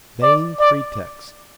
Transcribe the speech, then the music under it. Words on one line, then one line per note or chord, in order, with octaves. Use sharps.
Vain pretext!
D5
D5